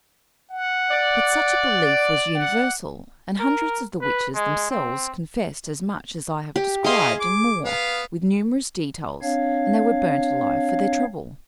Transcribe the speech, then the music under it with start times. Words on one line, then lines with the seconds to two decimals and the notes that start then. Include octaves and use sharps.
But such a belief was universal, and hundreds of the witches themselves confessed as much as I have described, and more, with numerous details, and they were burnt alive for their trouble.
0.51 F#5
0.91 D5
2.35 F#5
3.40 A#4
4.01 B4
4.35 G#3
4.70 C4
6.56 G4
6.84 E4 G#4 D#5 F5 C6
7.20 D6
7.65 B3 F5
9.22 C4 D4 C#5 F5